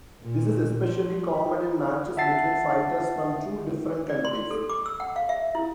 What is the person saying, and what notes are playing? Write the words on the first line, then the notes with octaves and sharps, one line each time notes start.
This is especially common in matches between fighters from two different countries.
A#2
F3
B5
E5 F#5 A5 A6 C7
D5
C6
A4
D6
E6
F#5
F5
E5
E4